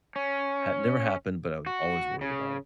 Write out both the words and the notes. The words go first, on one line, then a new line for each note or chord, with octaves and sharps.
ha never happened, but I was always worried about it.
C#4
F#4
C#3